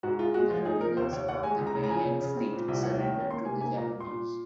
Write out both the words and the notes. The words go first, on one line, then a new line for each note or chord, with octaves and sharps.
The remnants of the Beiyang Fleet surrendered to the Japanese.
G#2 F#4
G#3 F4
G#3 F#4
F3 F4
D#4 G#4
F3 A#4
D#2 C5
D#2 C#5
D#2 F#5
G#3 G#5
C#2
A#5
C#3
A#5
F3 G#5
C#3
C#3
C4
A#2
C2
D#2 F#5
D#3
C#4
A#3 C6
C3 G#5
A#3 G#5
A#2 A#5
A#2
C6
A#2